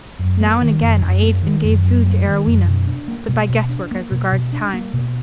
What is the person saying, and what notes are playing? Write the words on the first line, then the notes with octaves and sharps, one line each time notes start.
Now and again, I ate and gave food to Arowhena, but by guess-work as regards time.
F#2
A#3
D#3
F#2
F#2
A#3
D#3
F#2
F#2
A#3
D#3
F#2
B2
D4
A#3
B2
B2
D4
A#3
B2
B2
D4
A#3
B2